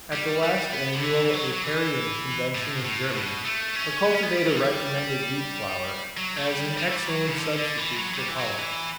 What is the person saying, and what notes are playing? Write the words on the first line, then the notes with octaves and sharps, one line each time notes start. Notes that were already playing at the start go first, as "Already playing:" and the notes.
At the last annual Apiarian Convention in Germany, a cultivator recommended wheat flour as an excellent substitute for pollen.
G3
G3
B3
D3
E3
E3
F#3
F#3
E3
A2
A2
B2
A3
C#4
B3
C#4
B3
G3
F#3
G3
F#3
A3
G3
G3
A3
G3
F#3
C#3
D3
D3
E3
F#3
F#3
G3
E3
F#3
E3